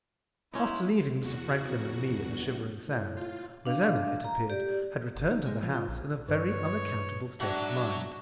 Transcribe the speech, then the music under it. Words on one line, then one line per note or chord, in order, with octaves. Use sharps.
After leaving Mr. Franklin and me at the Shivering Sand, Rosanna, it appeared, had returned to the house in a very unaccountable state of mind.
C#4 D#4 E4 C6
E2 F#4
F2
G1
A2
F4
D4 F5
A#5
G4 D5
F#1
D#4
G#3
F3
F4
A#1
G2 B4 C#5
F#3 D4 F#4 E5 F#5 A5